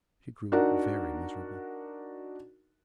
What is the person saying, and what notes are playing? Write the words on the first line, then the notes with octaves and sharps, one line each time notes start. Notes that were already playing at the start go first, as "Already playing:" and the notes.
She grew very miserable.
D4 D#4 F#4 A#4 F#5